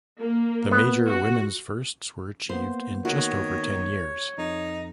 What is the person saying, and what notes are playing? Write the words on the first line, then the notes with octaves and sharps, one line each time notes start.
The major women's firsts were achieved in just over ten years.
A#3
B3
F#4
A#3 B3 C5
D#3 F#4 C#5
F2 D#4